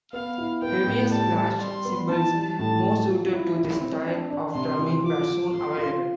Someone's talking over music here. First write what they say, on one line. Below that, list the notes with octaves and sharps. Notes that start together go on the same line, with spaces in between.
Heavier splash cymbals, more suited to this style of drumming, were soon available.
B3 F5
E4
B3 G5
A2
G3 A5
G3
G3 C6
B3
E3 A5
G3
A2 A5
G3
F3
E4
E4
C4
D4
D4
C3 C6
E3
F3 D6
F3
F4 C6
F4